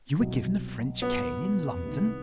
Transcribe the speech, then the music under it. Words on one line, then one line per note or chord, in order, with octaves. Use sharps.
"You were given a French cane in London!"
C2 B2 F#3
B3
C2 C3 D#3